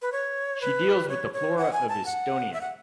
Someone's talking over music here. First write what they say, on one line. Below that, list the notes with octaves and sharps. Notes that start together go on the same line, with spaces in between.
She deals with the flora of Estonia.
B4
C#5
B4
C#5
C#5
F#5
G#5
A5
F#5
E5
F#5